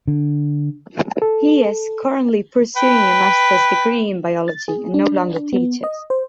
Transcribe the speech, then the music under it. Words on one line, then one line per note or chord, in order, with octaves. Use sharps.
He is currently pursuing a master's degree in biology and no longer teaches.
D3
A4
B4 G5
A6
G#4
D4
B3
D#5
C5